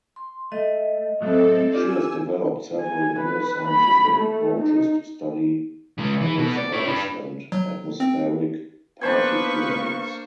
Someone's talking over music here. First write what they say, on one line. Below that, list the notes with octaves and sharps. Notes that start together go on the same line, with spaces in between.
She has developed several new scientific approaches to study aerosols and atmospheric particulates.
C6
A3 D#5
A2 F#3 A3 C4 A4
D4 F4 G4 D5 G#5 E6
G#5
B4
B5
A3
D#4
C#3 G#3
E3
B2 B3
D5
E4 C#5
D4 B4
F#3
C4
A#3 B3 D4 B4 C5 G#5 C#6